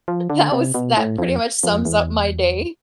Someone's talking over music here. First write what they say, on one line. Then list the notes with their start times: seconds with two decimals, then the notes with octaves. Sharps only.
That was that pretty much sums up my day.
0.08 F3
0.30 D3
0.52 C3
0.74 B2
0.97 A2
1.18 F2
1.63 F2
1.85 E2